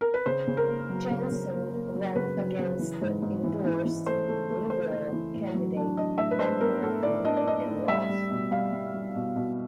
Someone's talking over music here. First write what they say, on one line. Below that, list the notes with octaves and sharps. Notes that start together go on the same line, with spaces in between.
Jensen ran against the endorsed Liberal candidate Ben Morton and lost.
A#4
B4
C#3 C5
C#3
A#4
A#3
F#3
C#3
C#3
A#3
A#3
F#3
C#3 B4
F#3
C#3
E3
G#2
G#2
E3
E3
E3
A3 C5
A3
A3
A3 C5
A3
E3
A2
F#3
D4
D4 D#5
A2 E5
B4
D4 C5
B3 A#4
A2 A4
A2 D5
D4 D#5
D5
D4 D#5
A2
G3 E5
G3
B2
G3 F5
G3
G3
B2
B2